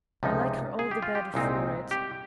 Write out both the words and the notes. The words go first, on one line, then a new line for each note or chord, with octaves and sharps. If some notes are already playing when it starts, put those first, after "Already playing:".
I like her all the better for it.
C#2 C3 F3 G#3 D#4
G#4
G4
F4
G4
C2 A#2 G#3 C4 D#4
G4